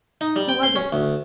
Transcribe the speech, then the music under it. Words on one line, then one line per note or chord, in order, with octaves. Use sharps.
"Who was it?"
D#4
G3
G5
C6
C#4
D2